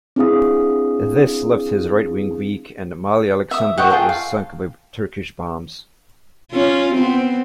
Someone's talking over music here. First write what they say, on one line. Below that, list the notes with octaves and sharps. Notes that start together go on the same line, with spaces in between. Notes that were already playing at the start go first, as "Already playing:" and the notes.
This left his right wing weak, and "Malyi Aleksandr" was sunk by Turkish bombs.
C4 D4 E4 G#4 F5 D#6
E5 D#6
C#5 D#5 F#5 G5
F4 G#4 A4 G5
F5
C#4 F4
B3 C4